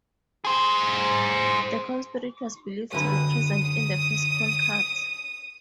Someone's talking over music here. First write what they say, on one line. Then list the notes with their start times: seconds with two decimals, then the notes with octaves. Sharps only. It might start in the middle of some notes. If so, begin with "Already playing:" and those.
The corn spirit was believed to be present in the first corn cut.
0.45 G#4 C5
2.93 F#2 D3 B4 D#6